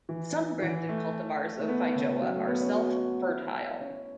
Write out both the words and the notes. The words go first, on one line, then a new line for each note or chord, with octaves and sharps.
Some grafted cultivars of feijoa are self-fertile.
E3
E3
A3
A3
B3
C#3
F#3
A3
B3
C#4
F#4
E4
C#4